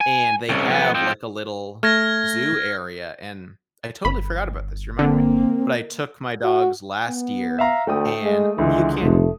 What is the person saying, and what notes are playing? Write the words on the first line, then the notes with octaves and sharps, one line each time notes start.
and they have, like, a little zoo area- and I totally forgot about this, you reminded me- but I took my dogs last year, and you can't
G#5
C2 C#3
F2 B3
F3 C4
A3 F6 G#6 A#6
G1 B5
D3 A#3 C4
F#4
B3
E5 F5 A#5
D2 A3 G5 D#6
G#3
C#2 D3 E3 G#3
F1 A3